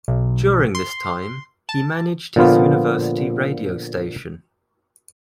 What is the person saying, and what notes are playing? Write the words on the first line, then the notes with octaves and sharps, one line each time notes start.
During this time, he managed his university radio station.
B1
C6
A5
A#2 D3 F3 B3 F4